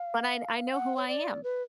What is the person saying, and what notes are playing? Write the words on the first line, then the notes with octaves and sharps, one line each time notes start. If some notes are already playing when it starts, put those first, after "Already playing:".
but I I know who I am,
Already playing: F5
F#5
C#5
D5
B4